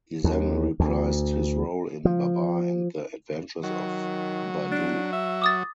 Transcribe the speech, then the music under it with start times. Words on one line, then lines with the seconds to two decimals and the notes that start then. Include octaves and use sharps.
He then reprised his role in "Babar and the Adventures of Badou".
0.24 D#2
0.80 D2
2.05 F3
3.63 D#3 F#3
4.72 D4
5.13 E5
5.42 D6 D#6 A6